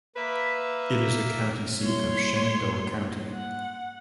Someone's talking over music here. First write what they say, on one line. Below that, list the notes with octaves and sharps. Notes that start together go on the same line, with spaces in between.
It is the county seat of Shenandoah County.
A#3 B4 E5
G3 A#3 E4 C#5 C6
F#5